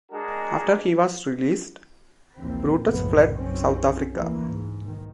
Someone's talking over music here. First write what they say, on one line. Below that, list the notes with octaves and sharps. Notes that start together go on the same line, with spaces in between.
After he was released, Brutus fled South Africa.
G#3 D4 F#4 G#4 A#4
A#1 D#2 A#2 E3 C4
F#1 B1 A2 C3 F3 B3
B1 F#2 C4 C#4
D2 E3 A#3
G#2
B1 D#3